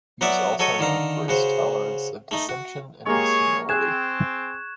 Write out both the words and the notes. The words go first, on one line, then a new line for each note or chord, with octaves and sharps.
He was also known for his tolerance of dissension and his humility.
F#3 B3 F#4 D5 E5 F#5
F#3 A4 C#5 D#5
D3 D#3 F5 A#5
C#3 F#4 C5
A3 D#4
F#4
G#3 A#3 G4 G#4 C#5 C#6
C4 G#4 F#6 G#6 E7